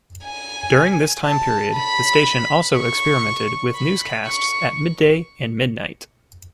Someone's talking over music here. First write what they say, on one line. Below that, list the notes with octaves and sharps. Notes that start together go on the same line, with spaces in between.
During this time period, the station also experimented with newscasts at midday and midnight.
G#5
A5
B5
C#6
B5
C#6